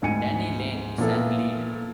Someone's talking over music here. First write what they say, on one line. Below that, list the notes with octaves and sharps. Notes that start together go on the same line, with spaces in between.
Denny Laine sang lead.
D2 G#2 G#5 C#7 D#7
A#2 F3 B3 E4 F4 A4